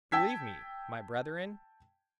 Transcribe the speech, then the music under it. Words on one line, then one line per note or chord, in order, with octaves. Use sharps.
Believe me, my brethren!
G5 A5 E6 G#6 B6